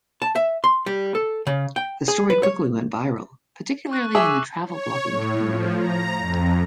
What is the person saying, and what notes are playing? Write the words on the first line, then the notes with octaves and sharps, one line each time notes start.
The story quickly went viral, particularly in the travel blogging community.
A5
E5
C6
G3
A4
C#3
G5
G#4
B4
C#5
C#6 F#6
G#4 E5 C#6 D6 E6
C#5
A2
F3
A#5
F2